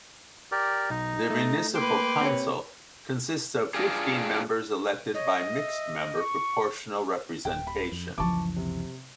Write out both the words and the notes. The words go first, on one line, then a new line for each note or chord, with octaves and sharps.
The municipal council consists of fifteen members elected by mixed-member proportional representation.
G4 A#4 D5
B1 D#4
A3
A#3 B4 G5 C6 D6
C4 G4 C#5
D4 F4 G4 G#4
C#5 D#5
E5
C#6
D1 G5
B5
F2
F#1 C#2 F#2 E3 F3 A5 C#6 D6
C3